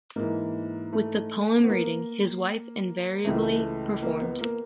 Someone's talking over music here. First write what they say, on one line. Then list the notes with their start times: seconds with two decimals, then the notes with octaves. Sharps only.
With the poem reading, his wife invariably performed.
0.16 G#2 E3 A#3
0.93 A3
1.64 B3
1.70 A#3
3.24 C#2 C#3 E3 A3
3.34 A#3
3.42 A3
4.02 A#3
4.21 B3
4.41 A#3